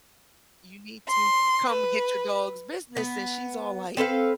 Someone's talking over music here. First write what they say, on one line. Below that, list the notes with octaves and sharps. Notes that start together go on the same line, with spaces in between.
you need to come get your dog's business," and she's all like,
C6
B4
B3
C4 A4 B4 F5